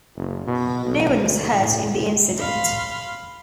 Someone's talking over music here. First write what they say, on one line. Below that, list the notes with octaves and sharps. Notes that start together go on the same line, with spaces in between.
No one was hurt in the incident.
F#1
B2
B1
D2
A2
F5 B5 C6